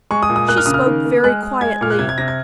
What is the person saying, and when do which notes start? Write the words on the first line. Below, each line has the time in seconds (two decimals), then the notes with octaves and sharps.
She spoke very quietly.
0.11 G#3 C#6
0.23 D#6
0.29 A#2
0.36 D#6
0.48 A#3 F#6
0.58 F6
0.66 C#3 D#6
0.74 F6
0.86 D#3
1.05 A#3
1.24 G#3 F#6
1.43 G#3
1.61 G#3 G#6
1.81 A#2 F6
1.90 F#6
1.99 C3 G#6
2.09 G#6
2.18 C3 A#6
2.28 G#6